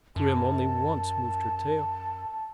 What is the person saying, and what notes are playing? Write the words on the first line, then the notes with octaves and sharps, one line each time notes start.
Grim only once moved her tail.
F#2 A5